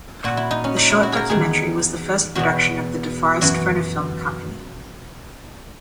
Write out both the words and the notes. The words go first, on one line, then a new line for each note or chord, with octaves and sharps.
The short documentary was the first production of the De Forest Phonofilm company.
A#2 F#4
E4
D#4
C#4
D#4
E4
F#4
G#4 A#4
E2 D#3 G#4
E2 B2 F#4
F#2 E3 F#4